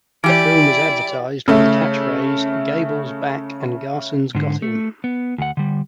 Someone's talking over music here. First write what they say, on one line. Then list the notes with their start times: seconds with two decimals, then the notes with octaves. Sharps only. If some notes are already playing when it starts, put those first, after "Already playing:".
The film was advertised with the catch-phrase Gable's back and Garson's got him!
0.24 E3 E4 G4 D5 D7
1.48 C#3 A3
4.35 G#2 D3
4.62 A3
5.04 B3
5.38 D2 F#5
5.57 D3 G3